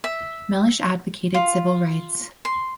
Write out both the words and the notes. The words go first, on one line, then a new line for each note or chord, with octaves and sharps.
Melish advocated civil rights.
E5
F4
C6